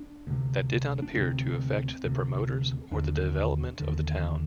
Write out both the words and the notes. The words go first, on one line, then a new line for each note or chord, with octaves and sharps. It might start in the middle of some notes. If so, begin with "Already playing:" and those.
That did not appear to affect the promoters or the development of the town.
Already playing: D4
D2 C3
D4
D2 C3 C4
D2 C3
D#2 D3 D4
D#2 D3